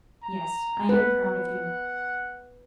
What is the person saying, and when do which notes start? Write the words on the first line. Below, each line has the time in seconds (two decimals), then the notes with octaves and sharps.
"Yes, I am proud of you."
0.23 A#5
0.89 B4 F#5